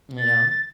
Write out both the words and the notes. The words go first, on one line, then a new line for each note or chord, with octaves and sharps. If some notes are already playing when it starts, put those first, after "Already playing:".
You know?
A6